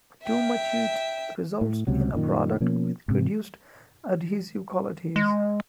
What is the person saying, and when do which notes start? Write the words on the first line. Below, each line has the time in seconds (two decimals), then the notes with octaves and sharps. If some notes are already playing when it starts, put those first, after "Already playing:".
Too much heat results in a product with reduced adhesive qualities.
0.23 E5 G5
1.61 A2
1.87 C#2 C3 F#3
2.12 F#2 A#2 D#3
2.60 B2 F3 A#3 C#4
3.08 G#2 C3
5.16 G#3